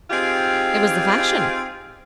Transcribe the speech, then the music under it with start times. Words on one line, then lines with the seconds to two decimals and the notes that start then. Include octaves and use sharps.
It was the fashion.
0.11 C4 D#4 F4 G4 G#4